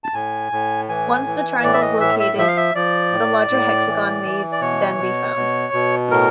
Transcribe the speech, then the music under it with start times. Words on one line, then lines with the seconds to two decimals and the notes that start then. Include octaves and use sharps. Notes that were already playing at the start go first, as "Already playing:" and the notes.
Once the triangle is located, the larger hexagon may then be found.
0.04 A5
0.14 A2 G#5
0.52 A2
0.89 E3 G#5
1.27 E3
1.63 A2 D5
1.74 E5
1.82 D#5
2.00 A2 E5
2.19 E5
2.38 F3 E5
2.48 F5
2.57 E5
2.75 F3 D5
3.12 A2
3.50 A2
3.87 E3
4.24 E3
4.52 D5
4.61 B2 C#5
4.99 B2
5.36 B2
5.73 B2
6.11 A2 A#4